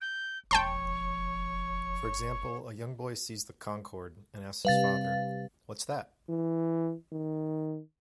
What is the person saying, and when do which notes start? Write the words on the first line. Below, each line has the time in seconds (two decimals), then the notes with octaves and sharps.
For example, a young boy sees the Concorde and asks his father "What's that?".
0.01 G6
0.51 E1 F3 C#5 G5 A5 C6
4.65 C3 G3 B4 F5 A6
6.29 E3
7.13 D#3